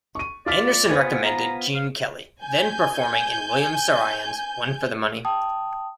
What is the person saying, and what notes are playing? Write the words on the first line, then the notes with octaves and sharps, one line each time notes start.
Anderson recommended Gene Kelly, then performing in William Saroyan's "One for the Money".
C#6 D#7
F4 D5 F6 B6
B3 F4 B4 C5 G#5
A#5
F5
G#5 G6
G5 A5 D#6